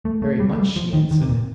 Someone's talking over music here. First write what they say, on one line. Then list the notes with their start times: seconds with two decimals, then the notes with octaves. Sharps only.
"Very much," she answered.
0.05 A3
0.22 A3
0.40 G3
0.53 A3
0.58 G3
0.76 F3
0.93 D#3
1.11 D#3
1.22 C3
1.29 A#2